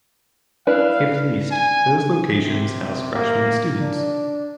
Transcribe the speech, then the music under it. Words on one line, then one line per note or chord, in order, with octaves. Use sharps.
If leased, those locations house freshman students.
D4 E4 B4 F5
G#5
C3
A#3
D4